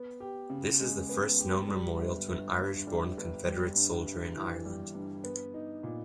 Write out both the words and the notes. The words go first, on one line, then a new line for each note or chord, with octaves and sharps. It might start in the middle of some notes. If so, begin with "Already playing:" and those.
This is the first known memorial to an Irish-born Confederate soldier in Ireland.
Already playing: B3
G4
C#3
G#3
B3
G4
G3
G1
G1
G2
G3
G1
G3
G2
G2
E3
G3
G2
B3
D#4
A#2